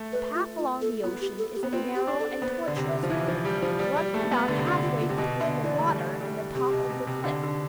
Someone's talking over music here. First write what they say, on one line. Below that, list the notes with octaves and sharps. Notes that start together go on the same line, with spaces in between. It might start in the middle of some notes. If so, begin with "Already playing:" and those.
The path along the ocean is a narrow and tortuous one, running about halfway between the water and the top of the cliff.
Already playing: A3
B4
F4
F4
A4
B3 F4
G4
A4
G4
B3
C4 F4
G4
D4
A4
B3 C5
D3 D5
C3
E5
F3
E3 E5
F3
G3
F3
G3 D5
G3
A3
A3
B3
D3 B4
C3
D3 F4
F4
F4
C3
B2 G4
D3 E5
E3 D5
A3
G3
G3
C3 G4
B2
C3
C3
D3
C3
D3